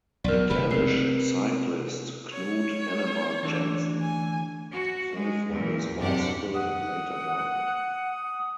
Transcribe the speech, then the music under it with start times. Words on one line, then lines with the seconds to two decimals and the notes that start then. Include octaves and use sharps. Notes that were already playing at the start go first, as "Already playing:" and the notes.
A Danish cyclist, Knud Enemark Jensen, fell from his bicycle and later died.
0.24 B1 E2 A#4 D5
0.50 E1 C#3 A3 B4 B5
0.71 C3 A#4 C7
2.33 C#5
3.43 D2 D3 E3
4.01 G#5
4.72 F#4
5.14 G#3
5.51 E2 A#2
5.98 F#2 C3 D4 G4 F#5
6.55 F#5 D#6